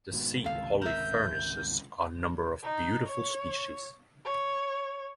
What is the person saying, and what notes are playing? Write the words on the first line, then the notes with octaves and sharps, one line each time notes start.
The sea holly furnishes a number of beautiful species.
G#1 G#2 B2
G#1 C#2 C3 A4 F5
A#4 E5 G6
D#4
C#5
C#5